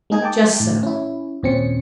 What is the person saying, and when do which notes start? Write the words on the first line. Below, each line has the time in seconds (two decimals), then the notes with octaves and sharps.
"Just so."
0.10 G#3 A#3 D#4 G#4 D#5 G#5
0.22 G5 A5 D6
0.60 A2
0.83 C#4 E4
1.43 D#2 A#2 C4 C#4 C#7